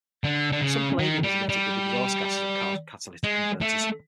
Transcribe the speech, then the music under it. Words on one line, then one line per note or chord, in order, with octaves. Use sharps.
Some palladium is emitted with the exhaust gases of cars with catalytic converters.
D3
D3
C#3
D#3
G3
G3
G#3
A3